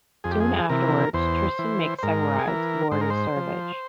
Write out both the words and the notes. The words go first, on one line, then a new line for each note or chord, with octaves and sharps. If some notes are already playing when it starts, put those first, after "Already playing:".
Soon afterwards Tristan makes Segwarides Lord of Servage.
F2 G#4
G4
G#4
C3 E3 A#4
E2 C5
E3
C5
G#2 A#4
G#4
E3 A#4
G#2 C5
A#4
C5
F3